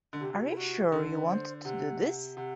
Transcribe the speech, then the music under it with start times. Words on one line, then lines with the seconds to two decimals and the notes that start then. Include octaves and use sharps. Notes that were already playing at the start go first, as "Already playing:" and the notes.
Are you sure you want to do this?
0.13 D3
0.20 C3 G4
0.33 F#4
0.45 E4
0.57 F#4
0.92 D3 A4
1.11 B4
1.29 C5
1.64 C3 F#5
2.36 C3 F#5